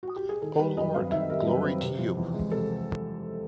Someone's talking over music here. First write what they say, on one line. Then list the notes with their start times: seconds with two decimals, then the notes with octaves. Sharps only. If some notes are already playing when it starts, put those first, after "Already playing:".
O Lord, glory to You.
0.03 F#4
0.16 G4
0.29 G#4
0.42 D#3 A4
0.59 G3 B4
0.77 F#2 D#5
0.94 C4 F5
1.12 D#3 E5
1.29 G3 A#4
1.47 F#2 B4
1.64 C4
1.82 C3
1.99 F3
2.17 E2
2.34 G#3
2.51 C3 A4